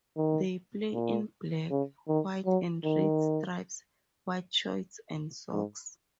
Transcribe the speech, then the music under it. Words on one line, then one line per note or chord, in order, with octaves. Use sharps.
They play in black, white and red stripes, white shorts and socks.
D#3
A#2
C#3
D#3
F#3
D#3
G#2